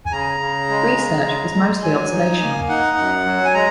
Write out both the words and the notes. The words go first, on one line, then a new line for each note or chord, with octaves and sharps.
Research was mostly observational.
G#5
C#3 A#5
C#3
G#3
C#3
G#3
G#3
F#3 G#5
D#4
A#3
D#4 F#5
F#2
F#3
G#5
G#3 A#5